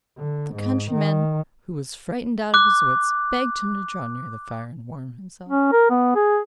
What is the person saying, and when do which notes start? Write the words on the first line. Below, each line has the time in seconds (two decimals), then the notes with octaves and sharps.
The countryman, who was frightened out of his wits, begged him to draw near the fire and warm himself.
0.17 D3
0.55 G#2
0.91 D#3
2.54 D6 F#6
5.49 C#4
5.72 A#4
5.90 B3
6.16 G#4